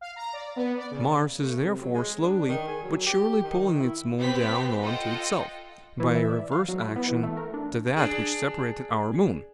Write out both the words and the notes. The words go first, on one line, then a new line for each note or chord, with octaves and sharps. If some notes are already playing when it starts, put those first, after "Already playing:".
Mars is therefore slowly but surely pulling its moon down on to itself, by a reverse action to that which separated our moon.
F5
A#5
D5
B3
D5
C#3
A3
C3
F#3
G#3
D4
D#3
G#4
F#3
G4
D#3
E4
B3 C4 G4 B4 B6
F4 A4 D#5 F#5 G5
E3
E5
D5
F5
F#3
E4
B3
E3
A3
A#4
D4
D4 G#4